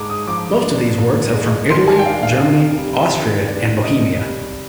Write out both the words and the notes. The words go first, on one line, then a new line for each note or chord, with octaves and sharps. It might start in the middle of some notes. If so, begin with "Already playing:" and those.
Most of these works are from Italy, Germany, Austria and Bohemia.
Already playing: G#2 G#3 A#5 D6
D#6
F3 D6
D4
G#2
G#3
D#3 C6
G#5
G5
D4 F5
F5
C3 F5
G3
D#3
D4
C3 D#5
G3